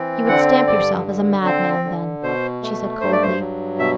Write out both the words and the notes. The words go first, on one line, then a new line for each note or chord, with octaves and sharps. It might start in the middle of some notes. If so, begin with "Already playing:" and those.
"You would stamp yourself as a madman, then," she said coldly.
Already playing: E3 C4
D3 F#5
G2 D5
D3
C4 C5
D3
B2 C5
A3
G2 C5
D5
C5
F#3
B2 E5